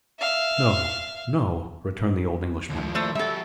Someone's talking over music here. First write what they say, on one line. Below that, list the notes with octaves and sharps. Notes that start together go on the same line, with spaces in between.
"No--no," returned the old Englishman.
E5 F5
D#2 F3
A3 C5
G3 F#4 A4 E5